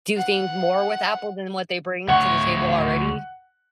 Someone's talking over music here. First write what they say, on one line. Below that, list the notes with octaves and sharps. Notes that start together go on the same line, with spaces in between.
do things more with Apple than what they bring to the table already.
F#5
D2 C#5 F#5